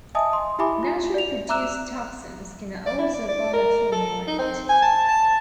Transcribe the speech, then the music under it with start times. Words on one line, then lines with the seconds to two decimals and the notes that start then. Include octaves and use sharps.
Naturally produced toxins can also bioaccumulate.
0.15 D#5 E5 G#5 A5 D#6
0.33 C6
0.59 E4 G4 E5 G#5 B5 D6
0.83 F4
1.14 D5 F7
1.49 E5 A#5 D6 E6 F#6 E7
2.86 D5
2.99 E4
3.14 D5
3.29 D5
3.54 A#4
3.92 A4
4.28 D#4
4.39 C4
4.69 G#5
4.82 A5
5.09 A5